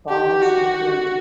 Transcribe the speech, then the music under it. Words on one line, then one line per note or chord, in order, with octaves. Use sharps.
Comics imprint.
G4
F#4